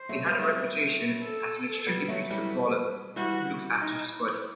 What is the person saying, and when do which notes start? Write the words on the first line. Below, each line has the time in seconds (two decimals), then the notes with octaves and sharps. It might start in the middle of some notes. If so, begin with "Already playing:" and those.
He had a reputation as an extremely fit footballer who looked after his body.
Already playing: C5
0.09 F#3 A3
0.25 G3 B3
0.42 A3 C4
1.22 A4
1.87 G3 B3
2.08 F#3 A3
2.30 E3 G3
3.16 E3 G3 F#4
3.81 D#4